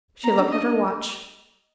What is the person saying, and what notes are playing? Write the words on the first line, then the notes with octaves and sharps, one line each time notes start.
She looked at her watch.
B3 A#5
D4
D4 D#5
D4